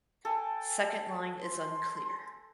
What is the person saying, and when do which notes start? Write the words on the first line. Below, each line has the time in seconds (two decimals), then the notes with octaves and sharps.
Second line is unclear.
0.25 A4 G5 G#5
1.43 C6